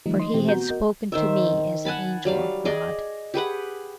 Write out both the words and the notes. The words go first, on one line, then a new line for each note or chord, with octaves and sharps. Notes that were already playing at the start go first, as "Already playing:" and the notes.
For he had spoken to me as an angel of God.
D#3 F3 G3 A3 D#4
D#5 C6
B2 E3 A3 C4 G4
B3 F#4 A#5 G6
F#4 A#4 D#5
D#3 C5 E5
F#5 G#5 A5 B5
F#3 G3 F5
G#4 D5 D#5
G4 G#4 B4 F#5